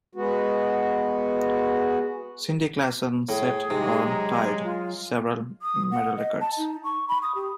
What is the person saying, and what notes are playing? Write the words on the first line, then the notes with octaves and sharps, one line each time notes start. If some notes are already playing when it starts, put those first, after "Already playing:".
Cindy Klassen set or tied several medal records.
G#3 B3 F#4
A2 G#4
C3 G#3 D#4
F#3 A#5
F4
D#6
F#5
D#5
A5
D#4
C#6
B5
D#6
G4